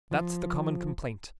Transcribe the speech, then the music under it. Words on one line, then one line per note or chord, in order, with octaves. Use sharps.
That's the common complaint.
F3